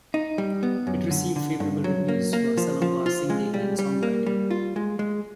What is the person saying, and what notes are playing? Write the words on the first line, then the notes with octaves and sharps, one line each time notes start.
It received favourable reviews for Salonga's singing and songwriting.
D#4
G3
B3
F#2
D3
D3
G2
F#3
A#3
A#3
F3
F3
F4
G#3
G3
G3
A#3
G3
F4
G#3
G#3